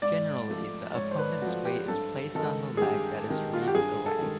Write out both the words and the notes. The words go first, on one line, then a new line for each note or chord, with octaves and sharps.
Generally the opponent's weight is placed on the leg that is reaped away.
G#2 D5
F3 A3
G#2 C#5
C5
B4
F3 A3 F#4
G4
G2 A4
D#3 G#3 A4
G#4
G2 G4
D#3 G#3
F4
F#4
G4
G2 G#4
A4
D#3 G#3